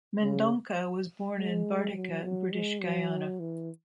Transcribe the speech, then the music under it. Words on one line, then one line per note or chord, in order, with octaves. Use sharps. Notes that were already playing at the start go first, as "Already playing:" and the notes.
Mendonca was born in Bartica, British Guiana.
C#3
G#3
F#3
F#3
G#3
F#3
E3